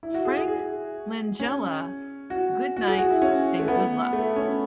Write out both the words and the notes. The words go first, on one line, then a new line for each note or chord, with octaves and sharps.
Frank Langella - Good Night, and Good Luck.
E4
F#4
G#4
G#4
G#4
C#4
F#4
F#4
G#4
F#4
E4
C#4
A3
B3
A3
C#4